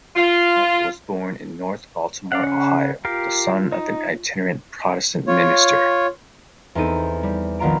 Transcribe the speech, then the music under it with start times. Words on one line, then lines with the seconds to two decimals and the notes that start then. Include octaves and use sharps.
Sharp was born in North Baltimore, Ohio, the son of an itinerant Protestant minister.
0.16 F4
2.32 C#4 D5 F5 F#5
2.43 C#3 F#5
3.05 F4 G4 A#4 F5
3.73 D#4
5.27 F4 C#5
6.75 E2 C4 D#4 A4 D#7
7.23 G3
7.59 A#1 D#3 B3 F4 A#5 D7